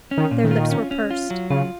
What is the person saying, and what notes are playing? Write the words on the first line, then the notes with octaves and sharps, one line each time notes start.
Their lips were pursed.
C#4
D#3
A#2
D#3
F4
C#4
C#4
F4
F#3
C#3 F4